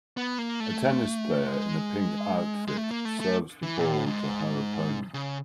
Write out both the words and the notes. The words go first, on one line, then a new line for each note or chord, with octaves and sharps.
A tennis player in a pink outfit serves the ball to her opponent.
B3
A#3
A3
G#3
G#3
A3
A#3
A3
A3
E3
A#2
A2
G#2
C#3